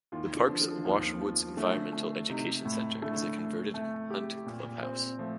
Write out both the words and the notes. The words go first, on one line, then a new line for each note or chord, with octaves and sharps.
The park's Wash Woods Environmental Education Center is a converted hunt clubhouse.
D#2 D#3 F4
D3
F3
D3
D#2 D#3 F3
F3
D3 A3
A3
C3 D#4
A2
D3 A3
A3
A3
G4
A#2
C4
F3 A3